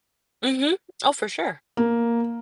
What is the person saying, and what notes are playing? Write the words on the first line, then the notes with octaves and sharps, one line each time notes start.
Mhm. Oh, for sure.
A#3